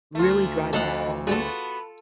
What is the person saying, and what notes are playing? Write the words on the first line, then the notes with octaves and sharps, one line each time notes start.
really drive that home
D2 A3 F4
F2 A3 D#4 A4 F5 F#5 D#6
G3 B3 F4 F#4 G#4 A4